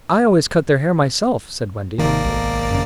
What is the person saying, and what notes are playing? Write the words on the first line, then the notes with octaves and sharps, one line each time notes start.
"I always cut their hair myself," said Wendy.
G#1 C3 D#3 A#3 D5
B1
F#2 C#3